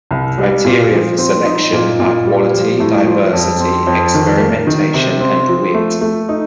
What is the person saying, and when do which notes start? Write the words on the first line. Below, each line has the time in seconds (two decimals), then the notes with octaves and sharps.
The criteria for selection are quality, diversity, experimentation and wit.
0.11 C2
0.38 G3
0.65 A#2
0.91 F3
1.18 C4
1.46 D#4
1.72 A#2
2.00 A#2
2.26 G3
2.53 F3
2.80 A2
3.06 F3
3.33 F2
3.60 C4
3.87 F2
4.14 D#3
4.40 A#3
4.67 D#3
4.94 C3
5.21 C4
5.49 F3
5.74 A3
6.01 A3
6.29 D#4